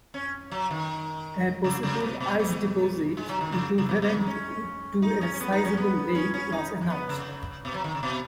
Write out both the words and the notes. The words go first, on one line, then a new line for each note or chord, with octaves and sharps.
A possible ice deposit equivalent to a sizeable lake was announced.
C#4
F#3
D#3
C#3
C#3
B2
B2
B2
G#3
F#3
D#3
C#3
C#3
B2
B2
D#3
C#4
D#4
C#4
C#4
B3
D#4
C#4
B3
C#4
C#4
D#4
G#3
B3
C#3
B2
F#3
D#3
C#3
B2